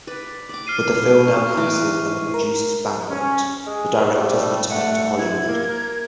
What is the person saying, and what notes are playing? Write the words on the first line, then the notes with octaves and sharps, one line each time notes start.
With the film now cancelled and the producers bankrupt, the directors return to Hollywood.
B4 D5
D5 D6
F6 C7 D#7
C#6
E3 D6
A#4
C#4
G#3
F2 G3 A3
A3 F#5
E4 G#6
A#3
A#4